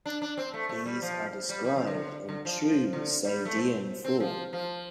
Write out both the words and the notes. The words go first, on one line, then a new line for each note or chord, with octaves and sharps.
These are described in true Sadean form.
D4
D4
C4
A3
A3
G3
F3
G3
G3
F3
D3
D3
F3
F3
D3
G3
A3
C4
C4
F3
F3